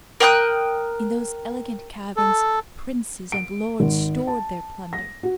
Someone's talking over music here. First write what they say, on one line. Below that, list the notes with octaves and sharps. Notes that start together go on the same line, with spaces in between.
In those elegant caverns princes and lords stored their plunder.
A#4 G5 D#6 F#6
A4
D7
G#1
A5
A#6
F#4